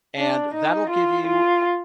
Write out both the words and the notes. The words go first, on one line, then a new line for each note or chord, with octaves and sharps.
and that'll give you"
D4
D#4
F4
F4